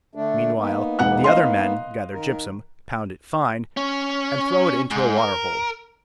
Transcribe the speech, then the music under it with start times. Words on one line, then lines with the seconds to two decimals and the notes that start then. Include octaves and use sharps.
Meanwhile the other men gather gypsum, pound it fine, and throw it into a water-hole.
0.15 D3 A3 D4
0.57 A#3 B3 D#4
0.99 E1 F#5 F#6
1.24 D#5 F5 C6
2.13 D#3 A#4
3.77 C#4
4.91 G#2
5.18 A#4